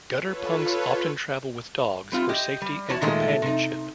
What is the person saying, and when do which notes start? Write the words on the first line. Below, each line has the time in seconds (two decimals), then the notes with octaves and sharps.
Gutter punks often travel with dogs for safety and companionship.
0.15 F4 A4 B4 C#5
2.12 G3 C4 F4
2.29 G4 D#5
2.62 G3
2.89 E2 F#4 C#5 D5 A5
3.01 A#2 D#3 G#3 A3 D#5
3.42 C3 D#4